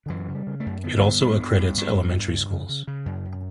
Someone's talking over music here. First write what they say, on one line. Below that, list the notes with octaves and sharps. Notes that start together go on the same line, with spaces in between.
It also accredits elementary schools.
D3
F#2 E3
C#3
G3
C#3
A3
F#2
D3 B3
G2
G2
G2
G2
G2
G2
G2
C#3
C#3
C#3
C#3
F#2
F#2